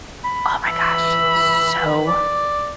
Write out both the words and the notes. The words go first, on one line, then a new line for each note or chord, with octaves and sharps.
Oh my gosh, so
B5
E3 E5 B5
D5